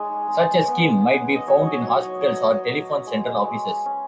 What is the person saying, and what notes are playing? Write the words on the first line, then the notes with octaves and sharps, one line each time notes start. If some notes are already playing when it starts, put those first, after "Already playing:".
Such a scheme might be found in hospitals or telephone central offices.
Already playing: G#3 D#4 C#5 D#5
G#3
B3
B3
D#5
F#3 C#5
D#5
C#5
F#3
C#5
C#5
F#3 D#5
F#3
G#3
G#3
C#4